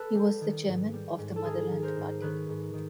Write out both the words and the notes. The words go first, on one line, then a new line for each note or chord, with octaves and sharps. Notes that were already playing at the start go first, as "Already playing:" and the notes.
He was the Chairman of the Motherland Party.
Already playing: A4 B4
G3
D#3
G#2
G3
G#2
A4
D#3 G#4 A#4
D#3
A#4 C5
G#2
D#3 B4 C#5
G#2
D#3